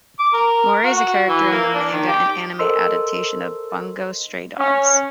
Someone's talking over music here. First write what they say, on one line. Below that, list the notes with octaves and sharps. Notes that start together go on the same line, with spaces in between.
Mori is a character in the manga and anime adaptation of "Bungo Stray Dogs".
D6
A#4
F#4
E3
A#3
D4
D#3
G4
A4 A#4 C5 D#5 C6 E6
C#4